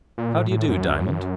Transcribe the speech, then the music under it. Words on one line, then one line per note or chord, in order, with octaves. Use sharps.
"How do you do, Diamond?"
A#2
A2
A2
F#2